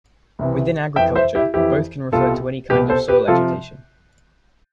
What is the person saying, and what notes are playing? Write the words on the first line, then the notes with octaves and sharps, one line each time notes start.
Within agriculture, both can refer to any kind of soil agitation.
C2 C3 E3
F2 E3 E5 G5
C5 E5
E4 G4
F2 E3 E4 G4
C2 B2 F4 A4
C2 B2 G4 B4
A4 C5
G4 B4
C3 F3 F4 A4